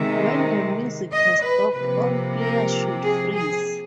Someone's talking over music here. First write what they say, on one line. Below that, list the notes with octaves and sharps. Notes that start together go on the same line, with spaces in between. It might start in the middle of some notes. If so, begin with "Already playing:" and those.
When the music has stopped all players should freeze.
Already playing: C3 D#3 G#3 E5
D#5
B4
C3 F3 A#3 B4
A#4
G#4
G#4